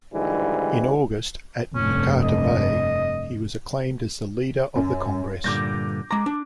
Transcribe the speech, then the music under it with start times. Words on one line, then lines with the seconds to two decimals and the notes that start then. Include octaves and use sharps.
In August, at Nkata Bay, he was acclaimed as the leader of the Congress.
0.14 D2 G#2 D#3 E3 G3
1.75 F1 G2 C#4
2.23 D#5
4.76 F#2
5.44 G2 A#2 D3 D6 G6 A#6
6.11 G#3 A#5 D6
6.26 D4